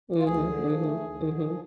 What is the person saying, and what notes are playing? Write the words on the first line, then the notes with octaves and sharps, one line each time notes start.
Mhm, mhm, mhm.
F4
D2 G#4
D3
F3
A3
D2
D3
F3